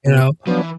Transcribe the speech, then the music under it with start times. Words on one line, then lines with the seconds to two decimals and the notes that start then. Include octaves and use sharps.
You know?
0.06 B2
0.47 F3 F#3 B3 D4
0.58 E3